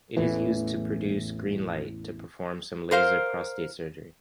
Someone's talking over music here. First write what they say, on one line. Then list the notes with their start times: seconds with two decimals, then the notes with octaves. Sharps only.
It is used to produce "greenlight" to perform some laser prostate surgery.
0.17 A1 E2 A2 E3
2.91 A#4 C5 F5